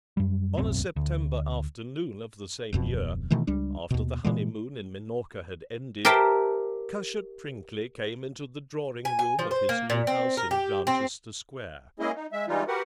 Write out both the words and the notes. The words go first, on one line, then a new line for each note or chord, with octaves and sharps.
On a September afternoon of the same year, after the honeymoon in Minorca had ended, Cushat-Prinkly came into the drawing-room of his new house in Granchester Square.
F#2 G3
D1 B1 F#2 C4
D2
D1 F2 B2
B2 D#3 E3 A3
C#2 G3 D4
D#2 B2
A#2 E3 G#3
G4 A#4 C5 E5 G5 A5
G#5
G#5
F3
C5
A#3
A#2
C4
A#4
G4
C4
G#3 A#3 C#4 E4 G#4 D#5
D#4
G#3 E5
E3 G3 G#3 D#4 F4
F#4 G4 A#4 B4 F#5